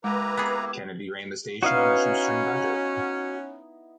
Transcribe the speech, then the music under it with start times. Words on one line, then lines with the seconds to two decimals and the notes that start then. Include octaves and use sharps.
Kennedy ran the station on a shoestring budget.
0.04 G#3 A#3 E4 G4 B4 A#5
0.37 B3 G#4
1.63 B3 C#4 D#4 E4 F#4 D#5 F5 F#5